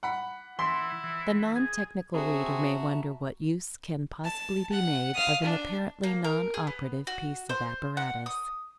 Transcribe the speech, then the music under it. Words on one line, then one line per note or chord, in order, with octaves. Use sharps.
The non-technical reader may wonder what use can possibly be made of an apparently non-operative piece of apparatus.
F#5 B5
E3 E4 C6
E3
G#4
C4 F#4 G#4 E5 A5 A#5
A5
F#5
F5 D#6
D4
A#3
A#4
G#4
B3
F#4
C5
F#5
D#6